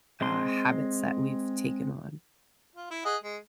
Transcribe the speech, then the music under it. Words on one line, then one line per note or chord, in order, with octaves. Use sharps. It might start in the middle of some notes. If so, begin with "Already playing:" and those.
uh, habits that we've taken on.
G#3 C4 C6
F4
E4
G#4 D#5 F#5
G#3